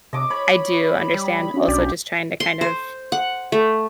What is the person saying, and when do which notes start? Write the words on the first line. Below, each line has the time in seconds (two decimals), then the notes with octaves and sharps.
I do understand also just trying to kind of
0.13 C3 D#5 D6
0.30 C#5 B5
1.14 G3
1.54 C#4 D4 F#4
1.68 B1 G4 D5
2.40 C6
2.61 C5
3.12 F#5
3.52 A3